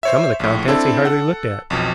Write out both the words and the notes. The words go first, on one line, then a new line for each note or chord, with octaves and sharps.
Some of the contents he hardly looked at.
C5 C#5 E5
A#1 A2
C4 D4 E4 A4
A4 F#5
B1 F2 B2